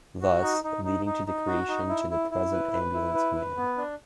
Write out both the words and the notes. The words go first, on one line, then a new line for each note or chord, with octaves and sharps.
Thus, leading to the creation to the present Ambulance Command.
F#4
D#4
D#4
D#4
D#4
D#4
F#4
D#4
E4
E4
E4
B4
B4
E4
B4
B4
B3
D4